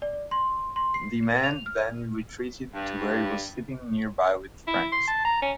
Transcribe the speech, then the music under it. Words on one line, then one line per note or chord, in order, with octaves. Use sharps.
The man then retreated to where he was sitting nearby with friends.
D5
C6
C6
C7
F7
F6
G2
E4
C6
A5
A#5
C#4